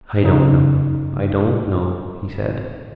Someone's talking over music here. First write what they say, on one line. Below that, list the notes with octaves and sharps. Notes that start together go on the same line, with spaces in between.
"I don't know--I don't know," he said.
F#2 C#3 D#4